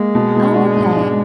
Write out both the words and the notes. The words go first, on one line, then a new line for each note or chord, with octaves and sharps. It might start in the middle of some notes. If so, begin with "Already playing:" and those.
Oh, okay.
Already playing: G#3 A#3
B2
B2
D4
G#2
D4